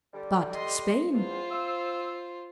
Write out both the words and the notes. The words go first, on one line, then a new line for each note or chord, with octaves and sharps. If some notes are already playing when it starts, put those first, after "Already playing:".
But Spain?
D3 G3
D#5 C6
E2 F4 C5
C4 F5 E6